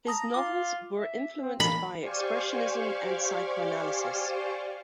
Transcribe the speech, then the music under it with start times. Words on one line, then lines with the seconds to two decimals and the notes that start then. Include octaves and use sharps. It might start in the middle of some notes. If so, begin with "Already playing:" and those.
His novels were influenced by expressionism and psychoanalysis.
0.07 A5 A#5 D#6 A#6
0.34 F4 D6
0.94 E5
1.41 C4
1.60 E3 A#3 B5
2.01 G4 C5 D5 F5 G#5 C#6